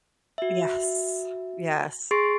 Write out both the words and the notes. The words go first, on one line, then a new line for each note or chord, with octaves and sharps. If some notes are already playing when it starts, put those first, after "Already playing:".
Yes. Yes.
F#4 E5
G#4 C6 C#6 A6 C7 D7